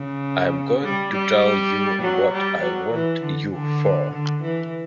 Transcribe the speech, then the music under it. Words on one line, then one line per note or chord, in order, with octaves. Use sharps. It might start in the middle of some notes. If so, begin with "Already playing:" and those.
I'm going to tell you what I want you for.
Already playing: C#3
G3
G3
F#3
G3
F#3
E3
D3
D3
D3
E3